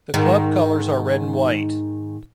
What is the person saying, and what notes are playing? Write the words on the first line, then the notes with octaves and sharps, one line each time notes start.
The club colours are red and white.
G#2 D#3